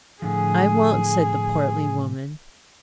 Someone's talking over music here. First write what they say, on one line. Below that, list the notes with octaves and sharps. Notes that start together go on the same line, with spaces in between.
"I won't," said the portly woman.
A2 D3 F3 G#4